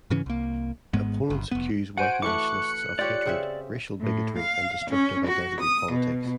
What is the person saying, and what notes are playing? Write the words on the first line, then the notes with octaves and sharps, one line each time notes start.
Opponents accuse white nationalists of hatred, racial bigotry and destructive identity politics.
G#2 C#3 E3 C#4
C2 A#3
G#1 G#2 G#3 B3
G1
F1 B3
F#4 C5 F#5 G#5 D7
E3 A3 C#6 D6 F#6 C#7
F4 G4 C#5 D5
C#3 C4 E5
A2
F5
C#4
F#4
D#6
B2